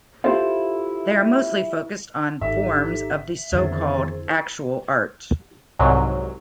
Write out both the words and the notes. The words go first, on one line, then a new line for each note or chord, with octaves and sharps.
They are mostly focused on forms of the so-called "actual" art.
E4 F4 G4 A4 C5 F5
G#1 D#4 G4 A4 E5
F2 D3 D#3 B3 E4 G#4 C5 A6
C2 G#2 F#3